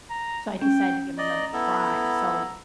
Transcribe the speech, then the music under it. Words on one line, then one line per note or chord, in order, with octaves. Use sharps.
So I decided to give 'em another try, so
A#5
C#4 G5
D5 D#5 A#5
B3 E4 A4